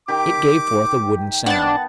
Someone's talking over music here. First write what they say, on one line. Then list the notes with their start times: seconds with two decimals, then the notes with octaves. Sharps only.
It gave forth a wooden sound.
0.08 D#3 G4 D6
1.46 B3 D4 F#5 A5